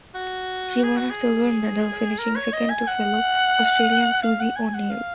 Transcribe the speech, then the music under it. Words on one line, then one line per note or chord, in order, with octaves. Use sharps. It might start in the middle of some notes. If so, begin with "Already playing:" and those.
She won a silver medal, finishing second to fellow Australian Susie O'Neill.
F#4
G#4
F#4
G#4
A#4
C#5
D#5
G#5
F#5
F5
F#5
G#5
F#5
F5